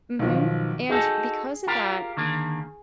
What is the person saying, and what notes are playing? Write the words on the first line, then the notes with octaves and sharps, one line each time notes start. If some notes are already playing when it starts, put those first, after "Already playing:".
mhm. And because of that
B1 D#3 F3
D#4 F#4 G#4 A4
F4 G4 A#4
D3 D#3 A#3